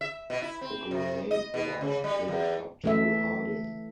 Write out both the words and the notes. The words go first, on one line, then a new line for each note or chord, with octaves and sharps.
The grenade blast killed Abdul-Halim.
E5
B2
E4
C4
C3
D#5
B2
C#3
G3
E2
E3 A3 E5